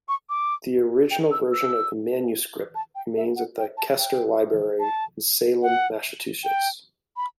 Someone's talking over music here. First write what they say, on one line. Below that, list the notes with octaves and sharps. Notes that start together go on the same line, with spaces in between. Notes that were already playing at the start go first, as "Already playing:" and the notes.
The original version of the manuscript remains at the Kester Library in Salem, Massachusetts.
C#6
D6
G5
E6
E6
A5
G5
E5
F#5
G5
A5
G5
A5
F#5
G5
B5